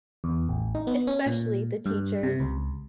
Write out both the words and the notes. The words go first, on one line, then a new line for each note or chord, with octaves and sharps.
Especially the teachers.
E2
A1
D#4
B3
C#4
A#2
G2
C3
C#2